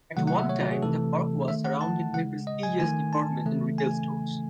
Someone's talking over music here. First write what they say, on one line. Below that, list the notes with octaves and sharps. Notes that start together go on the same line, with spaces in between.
At one time, the park was surrounded by prestigious department and retail stores.
C3 D#3 F#3 A3 F#5
F#5
E5
C#5
F#4
G#4
C3 E3 A3 A4
D#3 A3 E5
F#5
A5
C#3 G#3 F#5
D#5
G#5
D#3 A3 G#5
A5
C#3 E3 A3
G#5